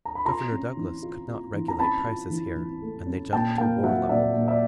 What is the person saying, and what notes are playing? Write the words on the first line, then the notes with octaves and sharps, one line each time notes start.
Governor Douglas could not regulate prices here, and they jumped to war level.
A#5
B5
F4 A#5 C6
C#4
E3
F4
F4
E3
A#5
C#4 A5 B5
F4
E3
E3
A3
C#4
A#2 G5 A5
A#3 F5 G5
F#3 E5 F#5
A#2 D5 E5
A#2
D5 E5